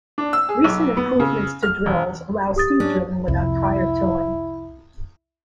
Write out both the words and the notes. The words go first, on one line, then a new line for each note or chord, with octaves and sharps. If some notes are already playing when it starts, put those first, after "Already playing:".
Recent improvements to drills allow seed-drilling without prior tilling.
D4
E6
G#4
B1
B3
C#3
F6
E1
G4 D#6 A6
C#4 D4
C2 F2 E4